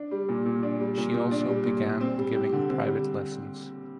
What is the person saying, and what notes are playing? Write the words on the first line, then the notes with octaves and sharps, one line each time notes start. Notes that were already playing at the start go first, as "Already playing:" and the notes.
She also began giving private lessons.
Already playing: D4
G3
A#2
A#2
D4
G3
A#2
A#2
D4
G3
A#2
A#2
C4
G3
G4
D3
C4
G3